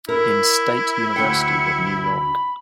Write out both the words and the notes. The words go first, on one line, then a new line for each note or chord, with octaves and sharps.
In State University of New York.
E4 A#4
D2 G5 C#7
B5